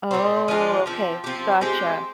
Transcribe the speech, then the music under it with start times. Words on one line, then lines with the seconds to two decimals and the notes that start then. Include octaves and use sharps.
Oh, okay. Gotcha.
0.11 A#2 G3 C4
0.48 F3 G#3 D4 F4
0.86 F3 C4 G4
1.24 F3 C4 G4
1.61 G#3 C4 G4